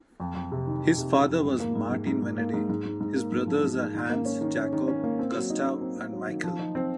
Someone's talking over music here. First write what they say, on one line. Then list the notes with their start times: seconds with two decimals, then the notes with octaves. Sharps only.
His father was Martin Venedey, his brothers are Hans, Jakob, Gustav and Michael.
0.20 F2
0.35 F2
0.52 C3
0.67 D#3
0.83 D#3
0.98 C3
1.14 D#3
1.29 F2
1.45 G#2
1.60 A#3
1.75 G#2
1.91 G#2
2.07 G#2
2.22 G#2
2.38 A#3
2.54 G#2
2.69 G#2
2.86 G#2
3.01 G#2
3.16 A#3
3.32 G#2
3.47 F3
3.62 G#2
3.79 G#2
3.94 D#3
4.10 A#3
4.25 C#4
4.41 D#3
4.56 C#4
4.73 D#3
4.88 C#4
5.04 A#3
5.19 C4
5.34 F#3
5.50 D#4
5.65 D#4
5.81 C4
5.97 C4
6.13 F#3
6.28 D#3
6.44 F3
6.59 D#4
6.75 C4